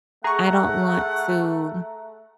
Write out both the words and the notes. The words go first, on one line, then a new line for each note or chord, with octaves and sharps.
I don't want to
A3 G#4 F#5 A#5 C#6